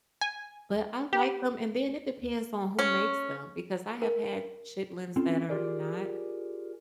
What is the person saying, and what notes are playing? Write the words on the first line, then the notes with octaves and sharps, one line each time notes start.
but I like them and then it depends on who makes them because I have had chitlins that are not
G#5
G4
C#4
A#4
C4 C#4 F4 A4
F4 G4 G#4 A#4 D5